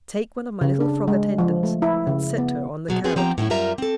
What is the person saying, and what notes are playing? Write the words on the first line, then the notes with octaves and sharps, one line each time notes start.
"Take one of my little frog attendants and set her on the carrot."
C#3
D4
G#3
F3
A3
E4
C#3
B3
B2 F#3 G#3
F2 G#3 B3 C4 F#4 G#4
F3 F#3 C4 G4 G5 A#5
A2 F#3 C#4 E4
F#2 G3 F4 A#4 E5 A#5
C4 A4